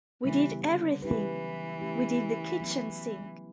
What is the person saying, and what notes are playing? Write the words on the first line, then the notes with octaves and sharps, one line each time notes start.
We did everything - we did the kitchen sink!
C#3 E3 G3 B3
D3
E3 F#3 C#4 E4 G4 B4
A3 C#4 G4
F#3 B3 E4